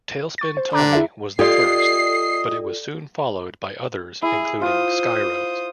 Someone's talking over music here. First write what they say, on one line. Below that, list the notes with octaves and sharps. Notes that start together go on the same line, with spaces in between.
"Tailspin Tommy" was the first, but it was soon followed by others, including "Skyroads".
C#6 A6
C5
D3 A#5 D6 F#6
E4 G#4 E5
F4 G4 A4 D5 D#5 C7
E4 G#4
F4 C5 D#6